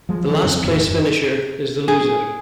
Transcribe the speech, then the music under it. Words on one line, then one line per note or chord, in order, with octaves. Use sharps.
The last-place finisher is the loser.
F3 G#3
D#3
F2 G#2 C#3 C4
E2 A2 D#3
F#2
G#4